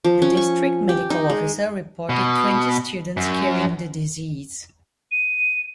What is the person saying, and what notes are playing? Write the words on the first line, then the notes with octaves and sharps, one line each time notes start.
The district medical officer reported twenty students carrying the disease.
F3
C#4
C#6
G4
D#4
G#3
B2
F#2
D#7